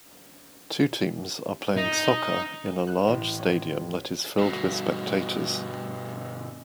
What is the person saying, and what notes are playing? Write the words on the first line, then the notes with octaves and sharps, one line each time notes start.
Two teams are playing soccer in a large stadium that is filled with spectators.
D#4
F#6
A1
C#4
G2 B2